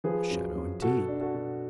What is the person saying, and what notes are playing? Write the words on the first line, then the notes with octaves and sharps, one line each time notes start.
A shadow indeed!
F3 G#4 B4
F#2
F#2
B2 F#4 A4
D4
F#4 A4
B2